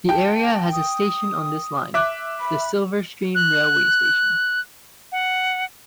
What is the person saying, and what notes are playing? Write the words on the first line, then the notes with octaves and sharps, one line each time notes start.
The area has a station on this line; the Silverstream Railway Station.
G5 A5
D#6
E5 D6 F#6
B5
F#6
F#5